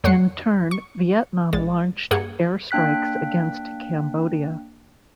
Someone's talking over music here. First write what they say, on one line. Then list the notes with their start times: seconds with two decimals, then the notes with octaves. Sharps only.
In turn, Vietnam launched air strikes against Cambodia.
0.04 F2 A3 C#5 F#5 C7 C#7
0.71 C#6
1.53 A#1 G#3 A6
2.11 G2 A#3 G#4 F#5 G#6 C#7
2.71 A#3 D4 G5 F#6 B6